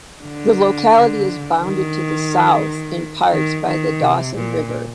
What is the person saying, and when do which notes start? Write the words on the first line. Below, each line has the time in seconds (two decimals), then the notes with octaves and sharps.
The locality is bounded to the south in parts by the Dawson River.
0.23 D3
1.60 D#3
3.32 D#3
3.66 D#3
4.01 C3
4.36 A#2